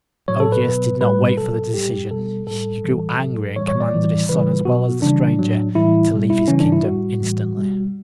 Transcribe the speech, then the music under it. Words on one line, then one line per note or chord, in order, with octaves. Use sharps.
Augeas did not wait for the decision; he grew angry and commanded his son as well as the stranger to leave his kingdom instantly.
A2 F#3 C#5
A4
B4
B2 F#3
A2 G3 B4
B2 F#3 A4
A2 G3 G4
B2 G3 A4
A2 G3 A4
A2 E3 G3
A2 F#3
A2 E3 G3 C#5
C#5
D5
A2 E3 G3
C#3 E3 G3 B4
B2 F#3 F#4
C#3 E3 G3 D4
A2 F#3
A2 E3 G3 E4
B2 G3
E4
C#3 E3 G3 C#4
D4
E4
A2 G3 F#4
A2 E3 G3
B2 G3